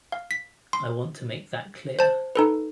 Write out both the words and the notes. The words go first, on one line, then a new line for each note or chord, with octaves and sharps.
I want to make that clear.
F5
B6
C6
C5 A5
D#4 A4 B4